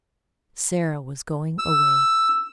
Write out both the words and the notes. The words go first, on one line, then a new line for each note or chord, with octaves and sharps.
Sara was going away.
E6